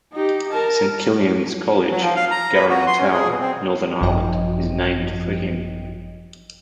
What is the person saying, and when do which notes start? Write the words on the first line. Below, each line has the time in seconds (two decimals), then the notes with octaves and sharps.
Saint Killian's College, Garron Tower, Northern Ireland is named for him.
0.13 D#4 G4
0.53 A#4 A5 A#5
1.90 F#3
2.02 F3
2.16 F5
2.31 A#5
2.53 B4
2.68 F#4
2.87 C6
2.99 C#4
3.13 G#4
3.28 B2
3.40 C4
4.01 G#1 F#2 F3 D#5 G5